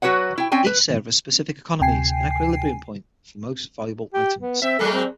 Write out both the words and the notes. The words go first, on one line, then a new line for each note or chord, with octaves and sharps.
Each server has specific economies and equilibrium point for most valuable items.
F#3 F#4 B4 C#5 F#5
E4 G5
C4 C#4 G5 G#5
B4
D2 C3 G5 G#5 C7
G4
B3
C4 E5
F#3 G#3 A#3 A4
C4